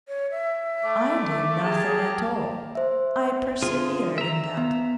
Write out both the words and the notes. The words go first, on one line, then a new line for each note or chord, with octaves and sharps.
I do nothing at all, I persevere in that.
C#5
E5
A3 D6
G4 G#4 A#4 A5
C5 E5
D3 F4 G#4
E5 A#5
B3